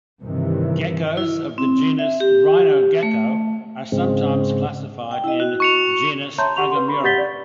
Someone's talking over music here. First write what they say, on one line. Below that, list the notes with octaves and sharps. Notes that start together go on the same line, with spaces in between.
Geckos of the genus "Rhinogecko" are sometimes classified in genus "Agamura".
G2 C3 D#3 E3
E4
C4
E5
G4
A3
G#2 C#3 G#3 C4
G5
E4 D#5
F#4
C#6 C#7 F7
C#5 E5 A5 A#5 C6 G6
G4 F#5 C#6 F7
B4 C6
B5 C#6
G4 F#5 G6 A6 B6 G7
D5